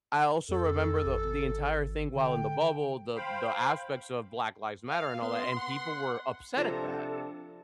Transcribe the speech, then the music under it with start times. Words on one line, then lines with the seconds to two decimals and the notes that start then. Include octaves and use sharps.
I also remember the the entire thing while in the bubble, the the aspects of Black Lives Matter and all that, and people were upset at that,
0.49 F2 A4
1.05 G#1
2.16 D3 G5
3.16 C5 F5 G5 B5
4.89 F5
5.22 B3 C6
5.57 F#5
6.57 C3 F3 D4 A4 C5 A#5